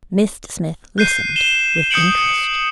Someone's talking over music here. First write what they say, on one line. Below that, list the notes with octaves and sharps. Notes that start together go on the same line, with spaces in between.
Mr Smith listened with interest.
F#6 G6 C7 D#7
E7 G7
D#6 G6 C#7 D7 F#7